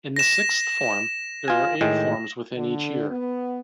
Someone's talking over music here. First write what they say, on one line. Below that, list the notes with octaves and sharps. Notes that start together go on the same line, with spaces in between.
In the sixth form, there are eight forms within each year.
A#6 E7
F4 G#5
A2 D#3 G#3
D3
B3